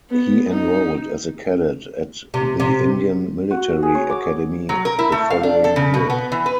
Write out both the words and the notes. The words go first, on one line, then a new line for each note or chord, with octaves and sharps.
He enrolled as a cadet at the Indian Military Academy the following year.
B3
D#4
C3
C3
F#4
G#4
C#5
D6
F#3
A#4
E4
A3
F5
D4
A4
C#3
B2
B3
E3
B4